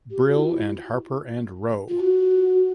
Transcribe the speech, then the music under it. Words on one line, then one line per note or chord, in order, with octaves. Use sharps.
Brill and Harper and Row.
G4
F#4
E4
F4
E4
F4
F#4